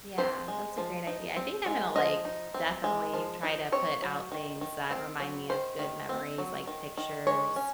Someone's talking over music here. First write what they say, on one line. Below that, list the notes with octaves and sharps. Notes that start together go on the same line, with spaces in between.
Yeah. That's a great idea. I think I'm gonna, like, definitely, try to put out things that remind me of good memories, like pictures
C4 C5
G#3
F3
D#4
C4
G#3
F3 D#5
D#4
C4
G#3
F3
D#4
C4 C#5
F#3
D#3
D#3
C4
F#3
D#3 C5
D#3
C4
F#3
D#3
D#3
G#3 C#5
C#4